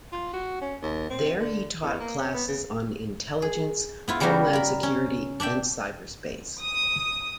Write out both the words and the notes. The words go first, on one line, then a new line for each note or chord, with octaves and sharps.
There he taught classes on intelligence, homeland security and cyberspace.
F4
F#4
C#4
D#2
C4
D3
E2
A#3
C#4
B3
C#3
G#4
B3 E4 F4
C#3 G3 A#3 D#4 F#4 A4
A#4 B5
C#4
D4 D5 E5 G5
D#6